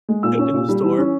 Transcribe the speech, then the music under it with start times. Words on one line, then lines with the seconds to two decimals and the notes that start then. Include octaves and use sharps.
in the store,
0.09 G#3
0.23 A#2 E6
0.39 C#4
0.54 A#2
0.68 G3
0.84 E3
0.98 C#4